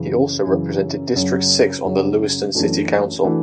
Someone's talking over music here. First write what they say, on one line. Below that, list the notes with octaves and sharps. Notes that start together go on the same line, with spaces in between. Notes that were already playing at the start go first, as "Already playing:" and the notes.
He also represented District Six on the Lewiston City Council.
Already playing: F#2 C#3 E3
F#2 C#3 E3
F#2 C#3 F#3
F#2 C#3 F#3
F#2 E3 A3 D4 F#4
E3 A3 D4 F#4